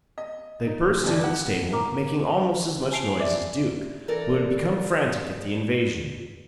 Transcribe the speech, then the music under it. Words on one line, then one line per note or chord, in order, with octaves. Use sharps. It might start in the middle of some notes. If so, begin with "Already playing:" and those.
They burst into the stable, making almost as much noise as Duke, who had become frantic at the invasion.
D#5
D#4
G1 F2 D5
F#5
A#4 A#5 D6
G#5 A5 C7 D7 F7
D5 E5 D6
E3 A4 A#4 D5